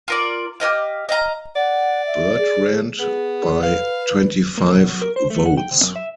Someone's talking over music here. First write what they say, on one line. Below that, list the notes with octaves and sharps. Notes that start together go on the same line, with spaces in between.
Bertrand by twenty-five votes.
F4 A#4 D5
G4 A#4 D#5 F5
D#5 F5 A#5
D5 F#5
E5
G#4
B3 G#4
B4 F5
A#3
B2
F#3
A#4
C5
A3
F#5
G5
C3
F#2
E5